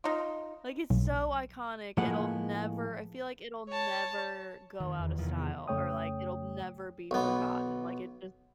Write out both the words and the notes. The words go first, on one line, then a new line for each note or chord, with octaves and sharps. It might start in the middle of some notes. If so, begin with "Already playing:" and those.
Like, it's so iconic, it'll never I feel like it'll never go out of style or like, it'll never be forgotten, like, it just
D#4 F4
B1
A2 F3 G#3 A#3 B4 F#5
C#5 A5
F2 D#3
E2
C3 D#3 F3
F2 C#3 A3 C#5 G5 D#6
B1 B3